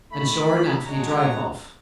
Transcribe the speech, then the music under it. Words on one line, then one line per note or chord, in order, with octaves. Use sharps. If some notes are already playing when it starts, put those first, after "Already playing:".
And sure enough, he drove off.
D#3 A3 D#4 B5
G#3 D4 F#4 C#5 F#5 A#5